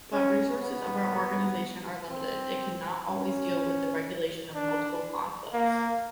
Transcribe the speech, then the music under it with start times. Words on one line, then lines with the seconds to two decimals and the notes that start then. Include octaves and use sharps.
But resources of our Organization are limited, it can not always deal with the regulation of multiple conflicts.
0.13 C#4
0.62 B3
2.09 C4
3.08 C#4
4.55 D4
5.53 A#3